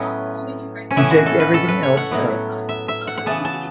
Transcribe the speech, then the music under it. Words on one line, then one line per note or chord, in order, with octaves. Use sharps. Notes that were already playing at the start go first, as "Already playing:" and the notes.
You take everything else out.
Already playing: A2 F#3 B3 C#4
C#4
A2 E3 B3 E4
F#4
A4
B4
A4
B4
C#5
F#5
A2 F#3 B3
E5
E5
F#5
F#5
C#3 E3 B3 A5
A5